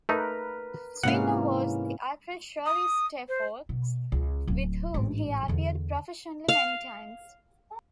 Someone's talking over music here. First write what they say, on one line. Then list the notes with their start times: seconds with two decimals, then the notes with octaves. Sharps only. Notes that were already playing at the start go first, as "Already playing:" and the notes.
His widow was the actress Shirley Stelfox, with whom he appeared professionally many times.
0.09 A3 D#4 A#4 B4
1.03 G#2 C3 E3 A#3 C#4 F5 F#5
2.66 D#6
3.29 C5
3.69 B2
4.12 C#2
4.47 D1 C4
4.94 A1 G#2
5.48 E2 D3
6.49 F5